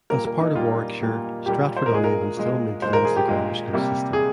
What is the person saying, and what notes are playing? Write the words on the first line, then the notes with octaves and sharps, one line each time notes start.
As part of Warwickshire, Stratford-on-Avon still maintains the grammar school system.
A#2 G3 A#3 A#4
A#4
D#4
A#2 G3 A#3 F4
A#2 G3 A#3
A#2 G3 A#3 G4
C5
A#4
A#2 G#3 G#4
A#4
A#2 G#3
A#2 G#3 C5
A#4
G#4
G4
A#2 G#3
C3 G3 A#3
G#4